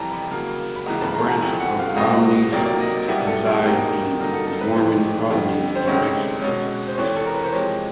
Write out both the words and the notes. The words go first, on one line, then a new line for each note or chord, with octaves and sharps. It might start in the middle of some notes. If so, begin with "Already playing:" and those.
A branch of the Romneys reside in the Mormon colonies in Mexico.
Already playing: F2 C3 E3 G3 A5 A#5
B5
C#3 F#3 A#3
B5
C#2 C#3 E3 A#5
A5
B5
A#5
A#5
D2 C3 F3 A3 G#5
F#5
F5
C#2 B2 G#3 C4 D#5
D2 C3 D#3 F#3 A#3 D5
D5
D#5
C2 B2 G3 B3 E4
A4
G#4
E2 B2 G3 A#3 D#4 G4
G2 D3 F#3 A#3 D#4
A4
A4
B4
F2 C3 E3 A3 C5
F2 D3 G3
C5
D2 C3 D#3 G#3 C#4 C#5
B2 G#3 C#4
C5
E2 C3 E3 A3 C#5
A4
A#4
B4
C5
C3 F3 G#3 C#5